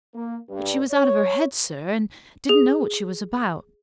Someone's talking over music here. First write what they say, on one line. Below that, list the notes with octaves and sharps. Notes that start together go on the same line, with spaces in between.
But she was out of her head, sir, and didn't know what she was about.
A#3
G2
C#5
G#4